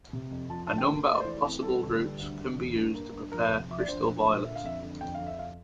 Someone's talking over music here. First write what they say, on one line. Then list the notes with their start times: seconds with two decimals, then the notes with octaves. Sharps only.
A number of possible routes can be used to prepare crystal violet.
0.13 C3
0.31 F2
0.50 F3 A5
0.67 D3 A5
0.78 G5
0.87 A#3
1.07 A3 E5
1.13 D5
1.20 C5
1.25 E3 D5
1.45 C4
1.63 G3 A4
1.82 G1
2.01 G3
2.20 D2
2.38 D2
2.57 E1
2.76 G2
2.95 A#3
3.13 G2
3.32 F3 A#4
3.51 F1
3.69 F3 E5
3.80 D5
3.88 A#1 C5
4.08 A#1
4.26 A#2
4.45 D3 E5
4.56 F5
4.64 F2 E5
4.82 D3
5.01 F2 G5
5.15 F5
5.20 F2
5.27 E5
5.39 F5